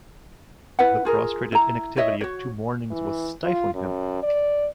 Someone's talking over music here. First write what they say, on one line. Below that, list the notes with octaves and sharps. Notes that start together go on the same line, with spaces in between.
The prostrated inactivity of two mornings was stifling him.
E4 B4 F#5
F4 G#4 A#4
E4 A#5
E4 C#5 D#5 E5
F#4 C#5
E3
F4
F#2
D5